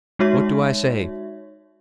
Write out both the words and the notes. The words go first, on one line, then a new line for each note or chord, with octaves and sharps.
What do I say?
G#3 D#4 F#4 C#5 E5